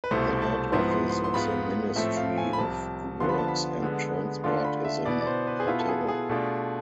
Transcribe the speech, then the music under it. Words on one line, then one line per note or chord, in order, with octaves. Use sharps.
The head office of the Ministry of Works and Transport is in Entebbe.
B4
C2 B2 A3 E4 C5
A5
G#2 F3 B3 E4 C6
C6
C6
C6
G#2 G#3 B3 F4 B5
A2 F3 A3 C4 E5
F5
G#5
B5
C2 C3 F3 A5
D3 F3 B3 F4 C6
B5
A5
B5
D3 G#3 B3
D3 A3 D4 F4 C6
B5
E5
B2 B3 E4 D5
D5
C5
B4
G#4
B2 B3 E4 F4
A4
G#4
G#4
B2 A3 D4 F4